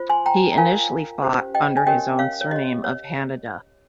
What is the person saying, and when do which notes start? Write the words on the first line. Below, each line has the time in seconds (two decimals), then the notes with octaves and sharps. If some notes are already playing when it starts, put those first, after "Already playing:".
He initially fought under his own surname of Hanada.
Already playing: F4 C5
0.10 G#5 C6
0.26 G5 A#5
0.52 A#5
0.58 F4 A#4 C#5 F5 G#5
1.22 C#4 G4 C5
1.55 D#5 G5
1.77 G#5
1.87 C#4 G4 A#4 C#5 D#5 G5
2.19 C#5 F5
2.41 C#5
2.51 G4 C#5 D#5
2.84 C#5